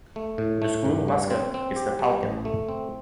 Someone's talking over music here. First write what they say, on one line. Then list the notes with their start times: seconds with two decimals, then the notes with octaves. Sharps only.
The school mascot is the Falcon.
0.16 A3
0.38 A2
0.62 A3
0.85 G2
1.08 G3
1.30 C4
1.54 C4
1.76 G4
1.99 G3
2.23 A1
2.45 A3
2.68 C4